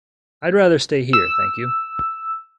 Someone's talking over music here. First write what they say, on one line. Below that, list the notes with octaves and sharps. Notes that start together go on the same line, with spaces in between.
I'd rather stay here, thank you.
E6